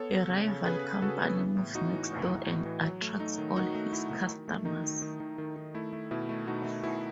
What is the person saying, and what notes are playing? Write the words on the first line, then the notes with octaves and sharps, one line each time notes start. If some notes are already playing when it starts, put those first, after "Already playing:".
A rival company moves next door and attracts all his customers.
Already playing: B3 A4 C#5
B3
C#3
C#3
C#3 G#4 B4
C#3
C#3 F#4 A4
B3
E3
A2
A2 D#4 F#4
E3
A2
E3
A2
E3
F#3
A3
A3 D#4
D#3
D#3 D#4 F#4
A3
A3 E4
D#3 D#4
D#3
A3
D#3 D#4
D#3
D#3
D#3
D#3
D#3
A3 E4
A3
B2 E4
A3
B2 D#4 F#4
A3
B2 E4